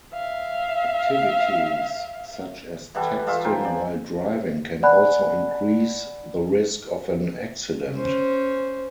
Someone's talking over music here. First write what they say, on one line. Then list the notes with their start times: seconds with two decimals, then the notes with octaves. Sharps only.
Activities such as texting while driving can also increase the risk of an accident.
0.14 E5 F5
2.95 E3 G3 F#4 A4
3.26 G3 F4 A4 E5
3.45 A#4 C5 G5 G#5
3.65 D5
4.83 D5 F#5 G#5 B5 F#6
7.94 C#4 C5